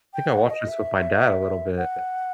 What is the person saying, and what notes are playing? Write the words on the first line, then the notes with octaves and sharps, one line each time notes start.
think I watched this with my dad a little bit,
G5
F#5
D#5
E5
F#5